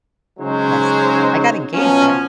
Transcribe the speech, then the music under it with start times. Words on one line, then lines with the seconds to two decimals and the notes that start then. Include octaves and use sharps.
Yes, I got engaged there.
0.39 C#3 F#3 G#3 D#4 C5 C#5
1.74 B2 F3 F#3 C#4